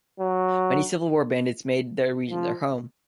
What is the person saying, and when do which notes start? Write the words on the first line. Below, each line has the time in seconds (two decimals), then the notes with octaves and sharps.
Many Civil War bandits made the region their home.
0.20 F#3
2.30 F3